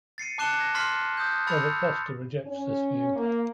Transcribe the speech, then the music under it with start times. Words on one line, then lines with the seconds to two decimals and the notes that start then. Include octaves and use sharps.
Robert Foster rejects this view.
0.18 A6 C7 C#7 D#7
0.38 A5 D6 F#6 C#7 E7 G7
0.59 G#6 A#6
0.75 C6 F6 A6 B6 C7
1.17 D#6 G6
1.47 B5 E6 G6 A6 C#7 F7
2.45 C#4
3.15 A#3